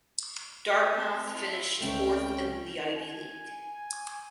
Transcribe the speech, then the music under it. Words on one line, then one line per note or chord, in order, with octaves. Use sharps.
Dartmouth finished fourth in the Ivy League.
C4 A4
E4 F4
C#2 A3 C4 C#4 G5
G#5